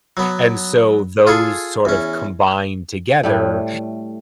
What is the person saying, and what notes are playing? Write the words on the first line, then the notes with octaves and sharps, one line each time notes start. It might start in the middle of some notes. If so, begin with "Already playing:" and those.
and so, those sort of combined together
F#3 B3
F4 G#4 A4 G#5
E2 C#4
A2 G3 A3